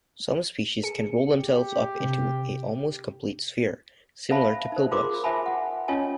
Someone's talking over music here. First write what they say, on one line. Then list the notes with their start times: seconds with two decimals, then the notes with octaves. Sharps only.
Some species can roll themselves up into an almost complete sphere, similar to pillbugs.
0.83 G#4 C#7
1.34 G4
2.00 C3
4.31 C5 E5 F5 A5 B5
4.72 D#4 C5
4.91 F4 G#4 A#4 C5 C6 D6
5.24 F4 C5 E5 G#5 A5 B5
5.46 F#5
5.88 C#4 F4 C#5 D#5 G#5 A5